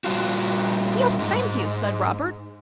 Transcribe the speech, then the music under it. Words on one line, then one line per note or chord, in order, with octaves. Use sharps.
'Yes, thank you,' said Robert.
A#2 G3 F4 F#4
G#2